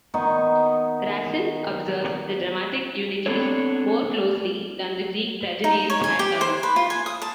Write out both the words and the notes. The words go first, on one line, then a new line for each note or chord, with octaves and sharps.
Racine observes the dramatic unities more closely than the Greek tragedians had done.
D#3 B3 D#4 C#6
B3 C4 D4 A4 C#5
D#4
C#5
G#5
G4
C5
B4
F4
G#5
D#6
A5